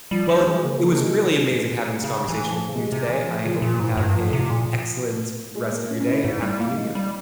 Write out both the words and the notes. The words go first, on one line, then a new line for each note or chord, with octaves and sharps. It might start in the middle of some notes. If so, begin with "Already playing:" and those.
Well, it it was really amazing having this conversation with you today. I hope you have a excellent rest of your day, and happy New Year.
F3 G3
E3 F3
E3 G#3
C#3 A#3
A#3
C3 G#3
C#3
C3
G#2
C3
C#3
E3
F3
C#3
C3 G#3
C3
E3
F3
C#3 F3
E3
A#2 F3
G#2 E3
G2
G#2 F3
C3
A#2
G#3
A#3
C#4
C#4
E4
G#2
G3
A#3
G#3
G3